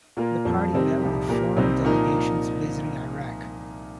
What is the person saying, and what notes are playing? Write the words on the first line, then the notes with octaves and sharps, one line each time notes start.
The party met with foreign delegations visiting Iraq.
A#2 A#3 F4 A#4
F2 F3 C4
C3 G3 C4 D#4 A#4
C2 A#2 F3 D#4 G4
A#2 A#3 G4 A#4
C2 C3 G3 C4 D#4
A#2 F3 A#3 D#4 A#4